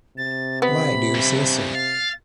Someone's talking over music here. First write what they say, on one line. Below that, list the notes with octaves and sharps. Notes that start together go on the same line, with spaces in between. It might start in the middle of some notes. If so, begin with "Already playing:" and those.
Why do you say so?
C3 A6
B3 B5
G2 E3
F5 A6